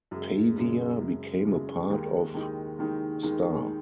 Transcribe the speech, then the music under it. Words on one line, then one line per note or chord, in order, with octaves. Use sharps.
Pavia became a part of Sta.
F#2 C#3 G#3
F#2 C#3 G#3
F#2 C#3 G#3
F#2 C#3 G#3
D#2 D#3 G#3 D#4
D#2 D#3 G#3 D#4
D#2 D#3 G#3 D#4
D#2 D#3 G#3 D#4